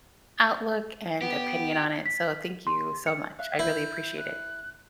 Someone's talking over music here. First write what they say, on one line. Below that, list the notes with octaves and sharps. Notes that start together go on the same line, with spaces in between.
outlook and opinion on it, so, thank you so much, I really appreciate it.
B3 G4
B6
C6
C#7
E5 F5 F#6
E4 E5 G6
F#6